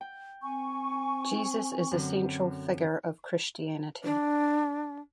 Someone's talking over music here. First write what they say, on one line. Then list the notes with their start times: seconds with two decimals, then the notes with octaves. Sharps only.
Jesus is the central figure of Christianity.
0.01 G5
0.42 C4 G#5 C#6
1.91 F#2 D3
4.04 D4